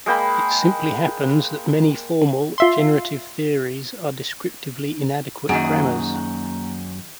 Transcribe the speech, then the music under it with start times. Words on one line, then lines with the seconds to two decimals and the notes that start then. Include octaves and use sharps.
It simply happens that many formal, generative theories are descriptively inadequate grammars.
0.06 G#3 A#3 G5 B5
2.58 F4 E5 C6
5.49 F#2 D#3 A#3 F#4 G#4